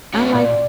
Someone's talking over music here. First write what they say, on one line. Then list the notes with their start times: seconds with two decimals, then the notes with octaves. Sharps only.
I like
0.14 A3 C#4 F#4
0.34 A#2 D5